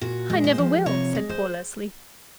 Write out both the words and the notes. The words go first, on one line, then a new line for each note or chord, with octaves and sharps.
"I never will," said poor Leslie.
A#2 F#4
G#3
C5
F3
C3 C#5
G#3
C5